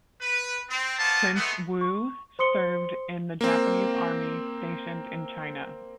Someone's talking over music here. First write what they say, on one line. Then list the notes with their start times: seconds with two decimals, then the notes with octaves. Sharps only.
Prince Wu served in the Japanese Army stationed in China.
0.21 B4
0.68 C4
0.97 A#3 B3 C5 A5
1.35 G#3 A3 B3
1.81 C#6
2.39 C5 C6 D#6 C#7 G7
3.41 A#3 C4